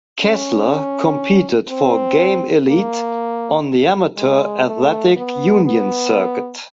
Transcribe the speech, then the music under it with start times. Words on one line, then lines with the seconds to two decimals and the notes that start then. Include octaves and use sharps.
Kessler competed for Game Elite on the Amateur Athletic Union circuit.
0.21 C#4
1.70 C4
2.68 A#3
4.17 G#3
4.66 A3
5.16 B3
5.65 B3